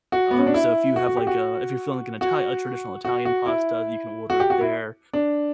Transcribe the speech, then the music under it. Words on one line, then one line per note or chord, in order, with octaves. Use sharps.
um, so if you have, like, a if you're feeling like an Itali a traditional Italian pasta, you can order it there,
F#4
B3
C#4
D4
E4
F#4
F#4
G4
F#4
F#4
F#4
F#4
E4
F#4
G4
F#4
E4
D4